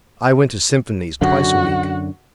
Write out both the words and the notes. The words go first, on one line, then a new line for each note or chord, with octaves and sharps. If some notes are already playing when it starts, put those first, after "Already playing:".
I went to symphonies twice a week.
F#2 D3 F#4 F#5